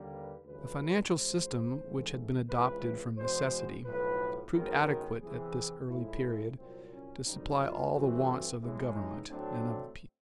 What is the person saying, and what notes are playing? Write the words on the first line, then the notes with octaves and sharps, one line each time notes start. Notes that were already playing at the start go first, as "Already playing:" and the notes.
The financial system which had been adopted from necessity proved adequate at this early period to supply all the wants of the Government and of the people.
Already playing: D#2 D3 G3 A#3
B4
D2 C#3 E3 G3 B4
A1 G#2 F3 C5
A1 G#2 E3 A3
C#2 C3 E3 B4
E2 B2 G#3 B3 C5
B1 A2 F3 B4
G#1 F#2 D#3 G#3 B3 A#4
E2 C3 E3 G#4
A2 F3 G#3 E4
C2 A#2 F#3 C4
C#4
F#2 D3 G3 C4 D#4
F4
G2 E3 A3 C4 F#4
A1 A2 E3 G#3
D#4
A2 F#3 A3 C4 D4